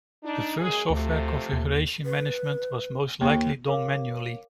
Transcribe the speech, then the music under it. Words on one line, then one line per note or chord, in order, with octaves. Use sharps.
The first software configuration management was most likely done manually.
D4 D#4
F#2 G#3 G#4
D2 C3 F3 A3
D#2
B4
D#2
A#4 C#5 F5 D6